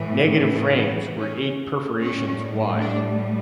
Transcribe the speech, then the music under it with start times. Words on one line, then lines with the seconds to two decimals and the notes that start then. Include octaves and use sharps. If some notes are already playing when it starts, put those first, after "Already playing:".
Negative frames were eight perforations wide.
Already playing: A2 E3 A3
0.35 A3
0.76 B3
1.17 C#4
1.98 A2 G3 C#4
2.79 D4